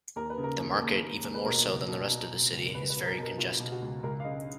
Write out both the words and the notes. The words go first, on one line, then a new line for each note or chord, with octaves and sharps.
The market, even more so than the rest of the city, is very congested.
D#2 A#4
B4
C#3
A#4
D#2
D#2
D#2
D#2
B4
B2 A#4
C#2
B2
B2
B2
C#2
C#2 B4
B4
B2
A#4
B2 A#4
B2 F4
B2
F#4
C#2
C#2 A#4
F5
C#3 D#5